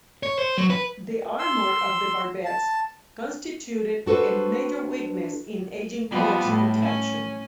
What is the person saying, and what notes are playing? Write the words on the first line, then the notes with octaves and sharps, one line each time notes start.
The armour of the barbettes constituted a major weakness in "Agincourt"s protection.
C#5
C5
F#3
B4
C6 E6
A5
D4 F#4 A4 B4 C5
F3 G3 B3
A2
C#4